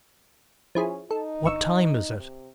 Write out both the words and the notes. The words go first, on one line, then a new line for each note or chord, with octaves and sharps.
"What time is it?"
F3 C#4 E4 G#4
D#4 A4
G1 C#6 E6
C3